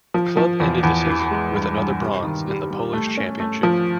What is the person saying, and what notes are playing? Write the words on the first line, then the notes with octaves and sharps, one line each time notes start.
Club ended the season with another bronze in the Polish Championship.
F3
F3
E2
E2
E3
G#3
G2
G2
C3
D#3
G3
G3
A3
C#4
A3
F3